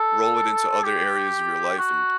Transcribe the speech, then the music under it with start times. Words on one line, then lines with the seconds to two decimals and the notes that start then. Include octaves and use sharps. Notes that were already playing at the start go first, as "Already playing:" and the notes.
roll it into other areas of your life, and
Already playing: A4
0.84 G4
1.78 F#4